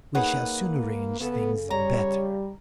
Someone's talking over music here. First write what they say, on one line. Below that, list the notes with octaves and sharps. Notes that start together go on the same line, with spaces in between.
We shall soon arrange things better.
A#3 D#4 G#4 B4 C#5 F#5
C#3 B3 A4
G3 C#5 A#5